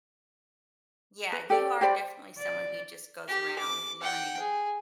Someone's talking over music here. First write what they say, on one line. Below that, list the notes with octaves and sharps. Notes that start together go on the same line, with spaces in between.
yeah, you are definitely someone who just goes around learning
B4
G4 A4 D5 G5
G4 C5 D5 B5
D5
G4
D6
F#5 G5
G#4